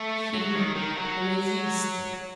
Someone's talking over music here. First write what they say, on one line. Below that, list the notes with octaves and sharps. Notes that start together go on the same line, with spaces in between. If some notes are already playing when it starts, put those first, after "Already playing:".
He resisted....
Already playing: A3
F#3
D#3
D#3
F#3